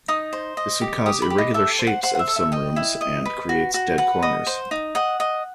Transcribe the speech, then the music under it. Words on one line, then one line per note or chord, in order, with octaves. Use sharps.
This would cause irregular shapes of some rooms and creates dead corners.
D#4 D#6
C5
D#5
G4
G4 D#6
B5
G4
D#5
A4 E5
C5
F#5
C5 F#5
F#5
E5
A4
E5
D#5 G5
E4
D#5
B4
F#4
F#4
B4 F#5
D#5
C5
D#4
D#5 F#5
D#5